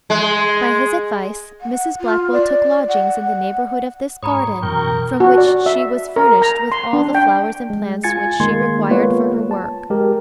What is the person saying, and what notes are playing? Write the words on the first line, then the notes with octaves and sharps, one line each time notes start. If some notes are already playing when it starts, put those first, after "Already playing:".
By his advice Mrs Blackwell took lodgings in the neighbourhood of this garden, from which she was furnished with all the flowers and plants which she required for her work.
G#3
F#5
F4
D5
F#5
G#2 C#5 A#5 B5 C#6 D#6
F#2 B2 E3 A#4 G5 C#6
F#4
D5
E5
A#4
A#5
C6
D4
G5
G#3
F4 G#5 G#6 A6 C#7
D#3 G#3 A#3 C6 G#6
G#3 A#3 B3 F4 B4 C#5
A5
G#3 G4 A#4